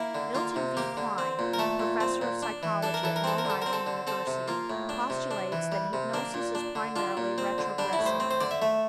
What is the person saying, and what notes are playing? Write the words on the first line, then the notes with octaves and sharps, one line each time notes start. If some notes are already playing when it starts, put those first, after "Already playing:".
Milton V. Kline, professor of psychology at Long Island University, postulates that hypnosis is primarily retrogressive.
Already playing: A#3 E4
D3
A#3 F4
C3
A#3 G4
D3
C4
A#2
A#4
A3 A4
A#2
C4
A#2
D4
E3
D4 A4
A#4
E3 A4
A#4
C4 A4
A#4
D3 A4
C4 A#4
A4
D3
C4 A4
C3
A#3 F4
A2
D4
C3
D4
E3
G3
C3
A#3 D4
A#2
D4
D3
D4 F4
A#2
C4
D3
G3 D4
E4
A2
C5
C4
C5
D3 D5
E5
A3 E5